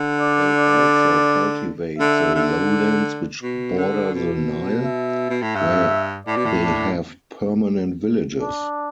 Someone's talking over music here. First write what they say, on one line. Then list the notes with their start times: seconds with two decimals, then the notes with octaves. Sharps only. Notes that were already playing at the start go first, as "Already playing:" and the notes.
They also cultivate the lowlands which border the Nile, where they have permanent villages.
Already playing: D3
0.20 D5
0.57 D5
1.99 D3 E5
2.35 D3
3.42 B2
3.78 D3
4.14 B2
4.85 E5
5.30 B2
5.42 A2
5.55 G2 E5
6.27 A2 D5
6.36 B2
6.45 A2
6.63 D4
8.41 D4